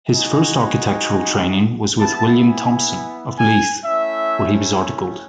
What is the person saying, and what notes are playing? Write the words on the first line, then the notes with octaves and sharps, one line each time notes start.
His first architectural training was with William Thomson of Leith, where he was articled.
G#3 D#4 F#4 G#5
B3 E4 A5
G#5
G#5
A3 C#4 E4 E5